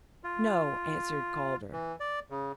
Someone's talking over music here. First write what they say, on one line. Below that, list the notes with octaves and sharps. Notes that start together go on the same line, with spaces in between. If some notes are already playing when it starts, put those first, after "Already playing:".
"No," answered Calder.
F4
E3
D5
C#3